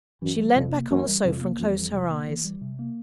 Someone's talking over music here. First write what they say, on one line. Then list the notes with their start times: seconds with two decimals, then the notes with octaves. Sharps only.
She leant back on the sofa, and closed her eyes.
0.22 F#2 E3
0.39 G3
0.56 F2 C3
0.74 A#3
0.90 F#2 E3
1.07 G3
1.24 F2 C3
1.41 A#3
1.59 F2 E3
1.76 G3
1.93 C3
2.10 A#3
2.28 E3
2.44 G3
2.61 C3
2.79 A#3